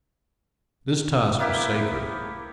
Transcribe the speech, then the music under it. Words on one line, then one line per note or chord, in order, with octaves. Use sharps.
This task was sacred.
A#3 B3 E4 G4